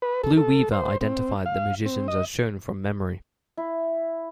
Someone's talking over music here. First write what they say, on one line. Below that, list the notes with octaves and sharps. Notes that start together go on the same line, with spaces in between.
Blue Weaver identified the musicians as shown from memory.
B4
A4
A4
C5
C4
F5
C4
D#5
E4